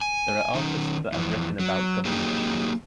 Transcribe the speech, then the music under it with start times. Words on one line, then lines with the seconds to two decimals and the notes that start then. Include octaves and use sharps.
There are artists that have written about government cheese.
0.01 G#5
0.55 D#3 C#4 D#4
1.12 F2 E3
1.59 F#3
2.05 F#3 A#3 D#4 G4 G#4